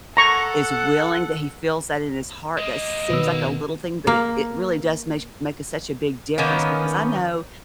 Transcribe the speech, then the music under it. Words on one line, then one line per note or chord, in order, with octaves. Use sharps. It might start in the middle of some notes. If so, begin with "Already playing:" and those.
is willing, that he feels that in his heart, that seems like a little thing, but it it really does meish make a such a big difference because I know
A4 F#5 A#5 C#6
G#3 A#3 D#5
B2 D#3 B3 B4 E6
A#3
D#3 A#3 B3 C#4